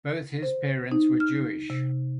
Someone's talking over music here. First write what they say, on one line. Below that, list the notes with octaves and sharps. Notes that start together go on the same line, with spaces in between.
Both his parents were Jewish.
C5
D#4
F6
C3